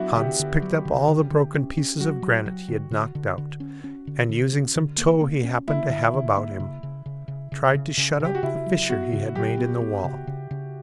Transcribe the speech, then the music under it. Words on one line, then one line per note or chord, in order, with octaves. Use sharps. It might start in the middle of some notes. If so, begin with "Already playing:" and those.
Hans picked up all the broken pieces of granite he had knocked out, and using some tow he happened to have about him, tried to shut up the fissure he had made in the wall.
Already playing: F#3 B3 D4 E4 F#4
D3 G4
D3
F#3
D3
D3
D3
C#4
C#4
F#3 F#4
F#3
F#3
D3
D3
D3
D3
C#4
C#4
D3
D3
C#4
D3
A#3
A#3
C#4
A#3 E4
D3
D3
A#3
C#3
C#3
C#3
C#3
C#3
C#3
C#3
C#3 G4
F#4
C#3 E4
F#3
B3 F#4
C#3
F#3 G4
B3
B3
C#3
C#3
C#3